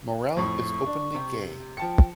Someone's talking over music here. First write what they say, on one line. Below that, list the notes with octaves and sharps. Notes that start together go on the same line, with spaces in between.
Morel is openly gay.
F2 A2 C#6
D4
C3 G4
F3 G5 A5 C#7